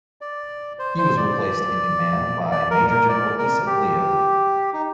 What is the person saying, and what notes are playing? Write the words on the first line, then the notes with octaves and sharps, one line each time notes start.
He was replaced in command by Major General Issa Pliyev.
D5
C5
C5
D5
D5
A#4
A#4
D5
A#4
G4
D#4